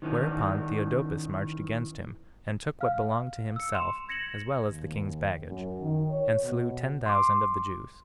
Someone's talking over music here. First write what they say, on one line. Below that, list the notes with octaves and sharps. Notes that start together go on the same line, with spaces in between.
Whereupon Theodopus marched against him, and took what belonged to himself as well as the king's baggage, and slew ten thousand of the Jews.
D#3 E3 C#4 D#4
F5 F6
E6 C#7
C6 E7 F7
G#6 A#6 C#7 E7 F#7
D#2
F#2
D#3
C#5
B2
C6 D6